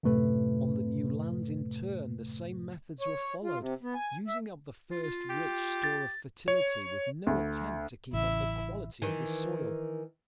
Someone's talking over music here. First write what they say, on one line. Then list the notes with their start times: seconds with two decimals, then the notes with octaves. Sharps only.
On the new lands in turn the same methods were followed, using up the first rich store of fertility with no attempt to keep up the quality of the soil.
0.03 F#2 A2 C3 A3 B4
3.01 C#5
3.44 F4
3.59 C3
3.83 B3
3.95 G#5
4.28 E5
4.91 F4
5.03 F4
5.29 G4
5.84 A6
6.48 C#5
7.27 D2
8.13 A1 C#3 E4 E5
9.02 D#3 E3